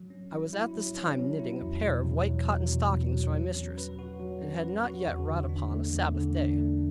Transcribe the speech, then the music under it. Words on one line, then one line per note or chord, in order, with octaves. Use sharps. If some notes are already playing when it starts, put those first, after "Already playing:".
I was at this time knitting a pair of white cotton stockings for my mistress; and had not yet wrought upon a Sabbath day.
Already playing: F#3
C#4
F#3
E4
F#3
C#4
F#3
E4
E2
B2
E2
F#3
E2
B2
E2
F#3
F#3
C#4
B4
F#4
F#3
C#4
B4
F#4
E2
D3
D4
A3
E2
D3
D4
A3